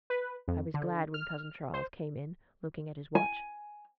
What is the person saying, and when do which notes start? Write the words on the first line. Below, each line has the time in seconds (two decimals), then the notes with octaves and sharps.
I was glad when Cousin Charles came in, looking at his watch.
0.10 B4
0.48 F2
0.74 D3
1.14 F6
1.74 C5
3.15 G#5